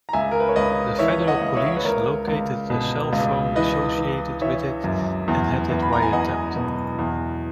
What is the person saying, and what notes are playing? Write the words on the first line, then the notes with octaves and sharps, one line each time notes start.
The Federal Police located the cell phone associated with it and had it wiretapped.
A#5
C#2 E5 G#5
A#4
B4
C#5
C#2 B4 D#5
E3 C#5 E5
D#5 F#5
C#2
C#5 E5
B4
C#2 A#4 C#5
C#2
B2
C#2
E3 B4 D#5
E3
E3 C#5 E5
F#2
E2
E2
B5
A#5
G#5
E2 D#5 F#5
B2
E2